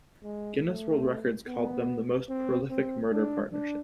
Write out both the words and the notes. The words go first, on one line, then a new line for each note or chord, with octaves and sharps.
Guinness World Records called them the "most prolific murder partnership".
G#3
A3
B3
C4
C4
D4
D4